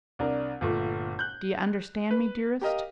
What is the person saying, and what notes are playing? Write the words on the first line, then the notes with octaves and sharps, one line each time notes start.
Do you understand me, dearest?
C2 D4 A#4 D5
G1 A#2 A3
F#6 G6
B4
G4 A#4 D#5 F5